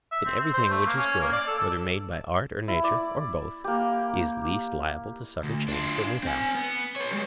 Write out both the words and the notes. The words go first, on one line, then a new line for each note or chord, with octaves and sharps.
Then everything which is good, whether made by art or nature, or both, is least liable to suffer change from without?
E5
C4
C4
C5
A3
A#3
C#4
A#3
D5
A4
A4
E4
D5
A#3 G4
D2
D4 F4
C4 G#5
B3
B4 C#5
G3 G#3